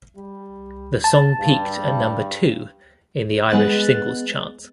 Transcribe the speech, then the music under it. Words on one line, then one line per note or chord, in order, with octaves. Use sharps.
The song peaked at number two in the Irish Singles Chart.
G3
A5
G2
G#3 B3 F#6 A6